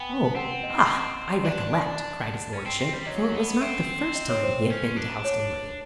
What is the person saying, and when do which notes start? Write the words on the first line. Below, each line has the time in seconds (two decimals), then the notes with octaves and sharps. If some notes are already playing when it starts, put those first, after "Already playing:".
"Oh, ah, I recollect," cried his lordship--for it was not the first time he had been to Helstonleigh.
Already playing: B3 G5 G#5
0.35 C4 F#5
0.63 D#5
1.44 D4 D5
2.53 C#4
2.66 C4
2.80 C4
2.93 G3
3.07 F#3 D#5
3.35 B3
3.61 C4 E5
4.15 D#5
4.29 C#5
4.43 C5
4.56 C5
4.70 C#4
4.97 D4
5.24 C#5